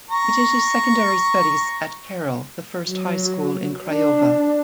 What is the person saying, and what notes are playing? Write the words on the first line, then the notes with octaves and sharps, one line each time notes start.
He did his secondary studies at Carol the First High School in Craiova.
A#5 C#6
F#3
D4